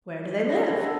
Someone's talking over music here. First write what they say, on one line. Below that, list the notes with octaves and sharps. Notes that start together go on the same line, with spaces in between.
"Where do they live?"
D5
B3 C#4 G4 C5 B5 A#6
D4 D#5 E5
F#5 A5 E6